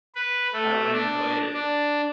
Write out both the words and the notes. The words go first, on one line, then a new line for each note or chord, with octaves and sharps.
I would enjoy it.
B4
A3
D4
D4